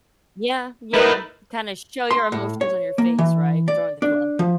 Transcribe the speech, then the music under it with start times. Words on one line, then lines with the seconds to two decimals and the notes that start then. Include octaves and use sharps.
Yeah. Yeah. Kinda show your emotions on your face, right, join the club.
0.94 A3 D#4 E4 A#4 B4
2.11 C6
2.32 A2
2.61 C#5
2.98 A#3
3.19 E3
3.68 D5
4.02 D4
4.39 F3